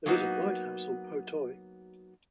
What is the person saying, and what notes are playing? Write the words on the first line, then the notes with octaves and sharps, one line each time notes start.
There is a lighthouse on Po Toi.
F#3 A#3 B3 D#4 F#4